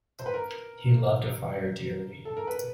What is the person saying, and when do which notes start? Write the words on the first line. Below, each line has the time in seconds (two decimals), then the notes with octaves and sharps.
He loved a fire dearly.
0.19 C5
0.26 B4
0.34 A#4
2.25 A4
2.37 A#4
2.47 B4